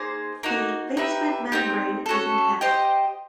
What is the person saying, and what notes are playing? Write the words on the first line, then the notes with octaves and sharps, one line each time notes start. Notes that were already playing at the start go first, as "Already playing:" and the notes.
The basement membrane is intact.
Already playing: A#3 D#4 G#4 C5
A#3 D#4 F#4
D#4 G4 B4 E5
C4 D#4 G4
C#4 F#4 A4
G4 C5 D#5 G5